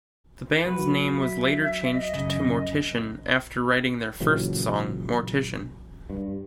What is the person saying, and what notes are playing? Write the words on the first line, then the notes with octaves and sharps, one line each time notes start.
The band's name was later changed to Mortician after writing their first song, "Mortician".
F#3 B4
E5
D#5
F#2 C#3
A#2 C#3 E3 F#3
G2